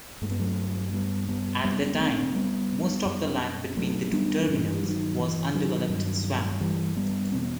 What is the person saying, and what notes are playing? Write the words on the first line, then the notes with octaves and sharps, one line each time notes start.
At the time, most of the land between the two terminals was undeveloped swamp.
G2 A3
B3
F#3 A3
G3 B3
G3 B3
F#2 G3 B3
B3
A3 C4
G3 B3
F#2
F#3 A3
G3 B3
G2 E3 G3
D#3 F#3
E3
D#3 F#3
G2
E3 G3
G3 B3
E2 B2 C4
B3